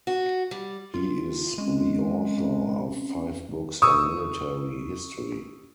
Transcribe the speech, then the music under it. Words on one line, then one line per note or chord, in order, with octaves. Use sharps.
He is the author of five books on military history.
F#4
G3
F4
G#3 C4 C#4
C#6 D#6 E6